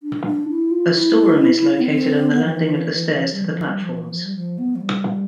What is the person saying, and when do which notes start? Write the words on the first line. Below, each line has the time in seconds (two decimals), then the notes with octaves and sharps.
A storeroom is located on the landing of the stairs to the platforms.
0.03 D4
0.25 D4
0.49 E4
0.71 F4
0.94 E4
1.80 B3
1.85 C4
2.31 B3
2.44 F3
2.53 E3
3.33 G3
3.44 E3
3.56 F3
3.67 G3
3.82 F3
3.97 E3
4.12 F3
4.25 G3
4.36 F3
4.58 B3
4.76 F3
4.81 G3